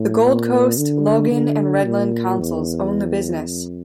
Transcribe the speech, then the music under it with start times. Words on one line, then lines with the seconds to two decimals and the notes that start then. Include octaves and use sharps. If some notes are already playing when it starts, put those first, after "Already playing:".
The Gold Coast, Logan and Redland councils own the business.
Already playing: A2
0.23 A#2
0.78 D3
1.31 D3
1.85 A#2
2.39 E2
3.47 F2